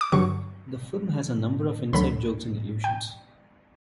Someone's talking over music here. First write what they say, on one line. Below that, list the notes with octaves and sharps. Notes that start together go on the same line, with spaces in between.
The film has a number of inside jokes and allusions.
D6
G2 D3 F#3 C#6
D2 D3 F#3 B5
G5